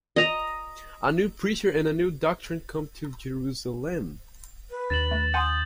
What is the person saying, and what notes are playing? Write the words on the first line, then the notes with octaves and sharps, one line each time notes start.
A new preacher and a new doctrine come to Jerusalem.
D#5 A#5
B4
D#2 D4 A6 E7 F#7
A3
F#5 G#5 C6 D#6 G6